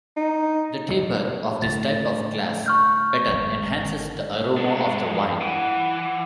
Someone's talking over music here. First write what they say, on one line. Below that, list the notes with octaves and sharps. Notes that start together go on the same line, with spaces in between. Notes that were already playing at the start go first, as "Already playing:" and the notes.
The taper of this type of glass better enhances the aroma of the wine.
D#4
A2 D3 A6
C#6 F6 G6
G#1 D#3
G#3 D4
E3 F#5